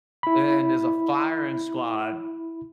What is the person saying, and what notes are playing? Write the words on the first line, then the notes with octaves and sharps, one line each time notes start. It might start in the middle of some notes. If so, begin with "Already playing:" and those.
and there's a firing squad
E4 B5